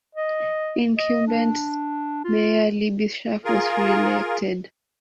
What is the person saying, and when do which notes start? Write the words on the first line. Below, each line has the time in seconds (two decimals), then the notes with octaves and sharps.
Incumbent mayor Libby Schaaf was reelected.
0.15 D#5
0.98 D#5
1.27 D4
2.24 F4
3.45 F4 G#4 A#4